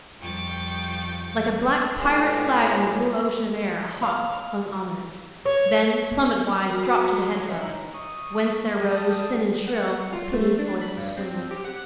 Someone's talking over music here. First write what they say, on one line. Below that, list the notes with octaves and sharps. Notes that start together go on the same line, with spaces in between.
Like a black pirate flag on the blue ocean of air, a hawk hung ominous; then, plummet-wise, dropped to the hedgerow, whence there rose, thin and shrill, a piteous voice of squealing.
F2 F3 G3 G5 C#6 A6
A2 G#3 B3 F4 G4 C#5
F5
C#5
F#4 A#4
G#4
F#3 B3
C#3 E3 A3 C#4 D#5
D#4 E4
C#6 D#6
G3 G5 A5 D#6
F#5
F4
A3
D4
B5
G2
C4
G4
F#5